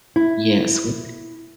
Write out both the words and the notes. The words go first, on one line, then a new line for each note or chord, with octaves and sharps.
Yes, wi t
E4